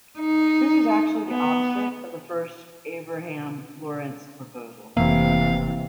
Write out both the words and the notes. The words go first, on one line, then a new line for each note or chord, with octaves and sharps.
This is actually the opposite of the first Abraham-Lorentz proposal.
D#4
B3
F1 C3 E3 A#3 F5